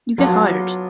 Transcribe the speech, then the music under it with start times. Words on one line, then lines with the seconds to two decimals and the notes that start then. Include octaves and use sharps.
You get hired.
0.18 F#3 B3 D4 F4